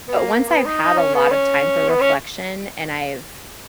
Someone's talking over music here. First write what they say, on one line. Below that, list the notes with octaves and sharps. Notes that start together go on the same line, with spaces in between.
But once I've had a lot of time for reflection and I've
B3
A#3
A#3
B3
D#4
D#4
C#4
B3
C#4
B3
C#4